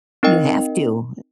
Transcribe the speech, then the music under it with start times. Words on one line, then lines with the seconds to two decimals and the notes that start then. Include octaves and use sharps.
You have to.
0.23 C4 D#4 A#4 D#5 G5